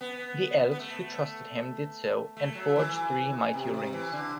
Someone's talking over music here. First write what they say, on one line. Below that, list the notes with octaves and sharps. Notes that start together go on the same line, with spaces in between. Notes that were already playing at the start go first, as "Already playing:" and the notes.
The Elves, who trusted him, did so, and forged three mighty rings.
B3
B3
A3
A3
F#3
E3
C3
C3
E3
D3